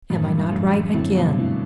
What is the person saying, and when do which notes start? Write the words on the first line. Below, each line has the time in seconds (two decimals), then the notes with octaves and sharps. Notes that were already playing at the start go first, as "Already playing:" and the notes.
Am I not right again?
0.10 F#2 A2 E3 A3
0.24 G2
0.38 G2
0.52 F#2 A2 E3 A3
0.94 F#2 A2 D3 A3 C4 E4
1.15 G2 B2
1.37 D3 A3 C4 E4